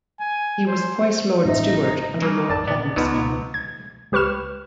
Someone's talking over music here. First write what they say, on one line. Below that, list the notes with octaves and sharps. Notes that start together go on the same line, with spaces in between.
He was twice Lord Steward under Lord Palmerston.
G#5
C5
A1 D#4 E5
C#3 F#3 G3 A#3
A1 F2 D5 A5
A#2 D3 B3 D5
C#2 D3 F3 F#3 B3 D#4
G#6
C#2 G4 B4 C#6 F6 E7